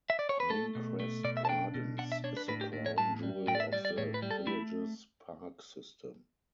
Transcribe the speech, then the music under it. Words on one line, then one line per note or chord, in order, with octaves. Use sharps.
Pinecrest Gardens is the crown jewel of the village's park system.
E5
D5
C#5
B4
A3 A4
B2
A3
B2 D5
E5
A5
D4 G5
B2
D4 F#5
E5
D4 C#5
B4
A2 B4
G4
A2
C#5
A2 A5
G3
A2 G5
D5
E5
G3 D5
D5
A2 C#5
B4
G3
A4
A3 E4